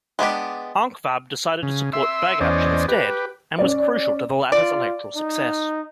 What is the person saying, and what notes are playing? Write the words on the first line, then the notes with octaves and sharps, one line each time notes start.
Ankvab decided to support Bagapsh instead and was crucial to the latter's electoral success.
G#3 B3 D4 G4
C#3
E5 C6 E6
E2 C#4 C5 D5 D#5
G4 B4
C#4 D5
F4 D5
D#4